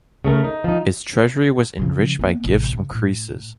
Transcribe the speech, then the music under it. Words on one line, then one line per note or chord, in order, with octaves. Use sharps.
Its treasury was enriched by gifts from Croesus.
C#3 A3 A4 A#4
D#4
F3 D#4
C#3 F3
A#3 B3
A1 C3
C#3
A2